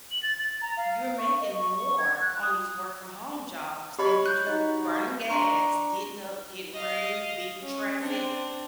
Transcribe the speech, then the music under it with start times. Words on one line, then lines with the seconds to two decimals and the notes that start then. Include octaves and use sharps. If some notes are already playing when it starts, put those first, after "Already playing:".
you're making more on these work from home jobs than you do burning gas, getting up, getting ready, beating traffic.
0.11 F#7
0.23 A6
0.39 A6
0.61 A#5
0.77 F5
1.18 C#6
1.41 D#5
1.54 C#6
1.75 C#6
1.98 G#6
2.21 F#6
2.42 D#6
3.99 G4 C#5 D#5 B5 C#6
4.26 F#6 G6
4.47 D#4 F#4 D#5
5.29 D4 A#5 C6 C#6
6.73 D#5 F5
7.61 C#4
8.00 C4 D4